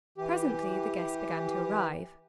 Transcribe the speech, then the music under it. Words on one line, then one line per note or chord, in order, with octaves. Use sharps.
Presently the guests began to arrive.
E3 G4